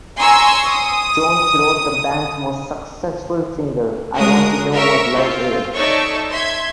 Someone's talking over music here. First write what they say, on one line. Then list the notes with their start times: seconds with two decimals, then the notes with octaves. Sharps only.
Jones wrote the band's most successful single, "I Want to Know What Love Is".
0.20 G#5 A#5 C6 C#6 E6
0.71 D#6
4.16 G#3 F#4 A#4 D#6
4.73 A#4 E5 C#6
5.14 C4 F4
5.74 D#4 A4 C#5 D5 E5 C#6
6.31 E5 C6 G#6